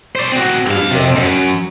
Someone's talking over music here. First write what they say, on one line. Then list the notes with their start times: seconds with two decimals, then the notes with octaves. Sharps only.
it was that.
0.15 C5 D5
0.32 C4 F#4
0.71 D4 F5
0.91 C3
1.16 F#2